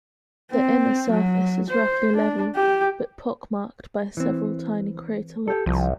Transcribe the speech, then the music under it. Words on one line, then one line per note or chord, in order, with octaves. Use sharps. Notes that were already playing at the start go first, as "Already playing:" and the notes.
The inner surface is roughly level, but pock-marked by several tiny craterlets.
C4
F#3
C5
D4
G4
E3 C4
G4 A4
C2 F3